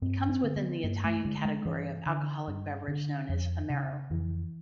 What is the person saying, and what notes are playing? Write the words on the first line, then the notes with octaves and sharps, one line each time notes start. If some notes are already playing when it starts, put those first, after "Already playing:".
It comes within the Italian category of alcoholic beverage known as amaro.
G2 C4
C4
D3
B3
G2 A#3
A3
D3 G#3
G#3
G2 E3
D3
G2
D3
F2
C#3
F2 E3